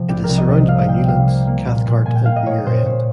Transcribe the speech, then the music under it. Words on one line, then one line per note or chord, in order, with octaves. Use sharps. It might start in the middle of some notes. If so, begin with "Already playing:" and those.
It is surrounded by Newlands, Cathcart and Muirend.
Already playing: C3 F3
C2 G4
A#4
C2
D#5
C3 D#5
C3 F5
C3 G5
C3 F5
A#3
A#3
A#2
A#2
A#2 G#5
G5
A#3 F5
D#5
A#3 C#5
A#2 C5
A#2 C#5